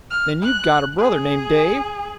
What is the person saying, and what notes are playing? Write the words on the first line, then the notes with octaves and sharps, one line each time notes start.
"Then you've got a brother named Dave?"
F6
F#6
G#4